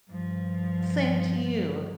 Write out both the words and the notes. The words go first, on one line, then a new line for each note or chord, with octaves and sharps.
Same to you.
G2 F3